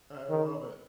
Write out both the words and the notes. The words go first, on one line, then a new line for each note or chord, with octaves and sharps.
I love it.
D#3